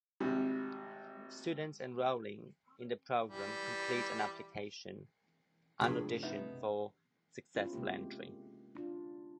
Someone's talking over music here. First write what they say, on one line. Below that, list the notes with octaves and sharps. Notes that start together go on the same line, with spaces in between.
Students enrolling in the program complete an application and audition for successful entry.
G#1 C3 G3
E3 G3
G2 C3 F3 F#3 A3 F4 G#4 B5
B3 D#4 E5
B3 C#4 E4 F4
C3 G#3 A#3 G4
D4 F4